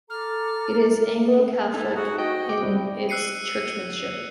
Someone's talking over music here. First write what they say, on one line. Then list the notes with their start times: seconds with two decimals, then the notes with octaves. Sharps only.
It is Anglo-Catholic in its churchmanship.
0.10 A4 A#5 D6 F6
1.74 D#4 E4 A4
1.96 F#4 G#4
2.18 F#4 D#5 G5
2.49 G5 D6
2.63 G3 C4 E4
3.09 E6 F#6 C7 C#7 D#7